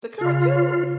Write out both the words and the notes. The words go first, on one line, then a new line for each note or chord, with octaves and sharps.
The cartoon.
C#3 F4